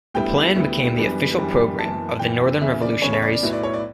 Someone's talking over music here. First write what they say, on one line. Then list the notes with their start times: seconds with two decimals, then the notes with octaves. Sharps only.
The plan became the official program of the northern revolutionaries.
0.14 D2 D3 G3 B3 E4 G5
0.56 D2 D3 G3 B3 E4
0.97 F#2 E3 G3 B3 D4
1.38 F#2 E3 G3 B3 D4
1.79 F#1 F#2 E3 B3 A5
2.19 F#1 F#2 E3 B3 G5
2.61 E2 C#3 E3 E5
2.82 D5
3.02 E2 C#3 E3 C#5
3.13 C#5
3.22 D5
3.33 D5
3.43 B1 A2 F#3 B3 E4
3.53 D5
3.63 C#5
3.74 D5